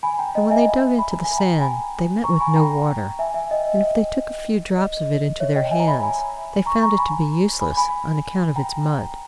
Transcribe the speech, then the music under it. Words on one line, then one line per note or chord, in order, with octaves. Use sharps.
And when they dug into the sand, they met with no water; and if they took a few drops of it into their hands, they found it to be useless, on account of its mud.
G#5 B5
G5 A#5
D#5
E5 G#5
B5
A#5
G#5
G5 A#5
G#5 B5
A#5 C#6
G#5 B5
G5 A#5
E5 G#5
E5 G#5
D#5 G5
D#5
C#5 E5
D#5 G5
E5 G#5
A#5
G#5 B5
G#5 B5
A#5 C#6
A#5 C#6
G#5 B5
G#5 B5
G#5 B5
G5 A#5